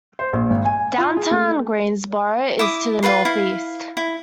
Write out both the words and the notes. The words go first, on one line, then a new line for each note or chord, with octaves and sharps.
Downtown Greensboro is to the northeast.
C5
A#1
G#1
G#5
F4
G#4
A3
E4 D6 D#6
F4 A#4 B4 C6
E4 F5
E4